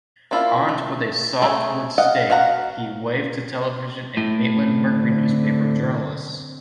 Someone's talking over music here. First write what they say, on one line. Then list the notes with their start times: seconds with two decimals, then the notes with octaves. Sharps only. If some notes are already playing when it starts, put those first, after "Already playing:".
Armed with a softwood stake, he waved to television and Maitland Mercury newspaper journalists.
0.31 A#3 D4 E4 F4
0.69 A3
1.42 A3 G#4
1.98 D#5 F5 F#5
2.30 F#4 F5 F#5 A#5
4.17 A2
4.60 D3 C4